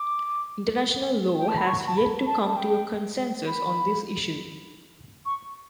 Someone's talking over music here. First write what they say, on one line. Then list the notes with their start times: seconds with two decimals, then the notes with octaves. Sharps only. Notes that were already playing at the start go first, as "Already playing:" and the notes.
International law has yet to come to a consensus on this issue.
Already playing: D6
1.39 G5
1.48 A5
1.57 B5
1.67 C#6
1.87 A5
1.97 B5
2.26 A5
2.50 A5
2.57 G5
3.47 B5
5.25 C#6